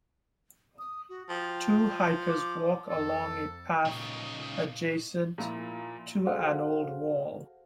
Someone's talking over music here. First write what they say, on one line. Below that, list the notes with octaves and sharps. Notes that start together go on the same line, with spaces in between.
Two hikers walk along a path adjacent to an old wall.
D#6
F#4
F3 G5
D6
F2 A4
A#2 C#3 D#4
A#2 F3 E4 F4
F#4 G#4 A4 C5 F5 F#5